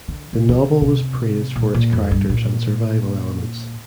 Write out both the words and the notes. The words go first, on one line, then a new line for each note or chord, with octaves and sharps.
The novel was praised for its characters and survival elements.
D3
C3
D3
C3
C3
A#2
A#2
F2
G2
A#2